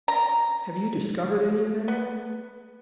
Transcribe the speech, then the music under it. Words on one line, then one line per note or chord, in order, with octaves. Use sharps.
"Have you discovered anything?"
A#5
B3